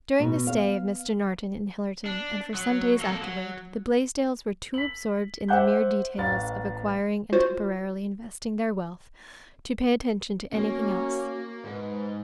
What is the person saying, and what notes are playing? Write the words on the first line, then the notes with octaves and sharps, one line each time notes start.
During the stay of Mr. Norton in Hillerton, and for some days afterward, the Blaisdells were too absorbed in the mere details of acquiring and temporarily investing their wealth to pay attention to anything else.
B2
F5
D4
F#3
A#3 A4
F#3
B6 F#7
C5 E5 F#5 D6 F#6 G6
A1 F5 A6
F4 F#4 C5
A#3 C#4 F#4
G#2 B4